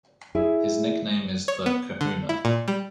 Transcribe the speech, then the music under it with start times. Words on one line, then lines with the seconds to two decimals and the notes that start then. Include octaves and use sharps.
His nickname is "The Kahuna".
0.35 E4 G#4 E5
1.48 C#5
1.66 B3
2.01 D3
2.29 E4
2.45 A#2
2.68 G3